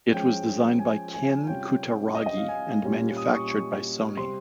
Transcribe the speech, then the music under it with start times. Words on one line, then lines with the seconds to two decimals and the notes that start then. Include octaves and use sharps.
It was designed by Ken Kutaragi and manufactured by Sony.
0.12 F3 G#3 C#4 G5
0.79 G#5
1.14 G#5
1.47 C3 G3 C#4 F4 G5
2.15 D#5
2.26 D#5
2.37 F5
2.48 G#5
2.83 A#2 G3 C#4 F4
3.17 D#6
3.34 C#6
3.50 C#6
4.17 C3 G3 C4 C6